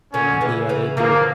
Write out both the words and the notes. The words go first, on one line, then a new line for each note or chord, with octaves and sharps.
Yeah, they do.
A#2 D3 C#4
C#3 E3
C#3 E3
D3 F3 A#3